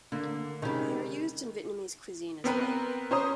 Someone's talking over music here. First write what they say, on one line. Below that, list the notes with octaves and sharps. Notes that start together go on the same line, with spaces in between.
They are used in Vietnamese cuisine as well.
D3 A#3
C3 D#3 G3 G#3 C#4
B3 C4 A#4 B4
C#4 C5 A#5 D#6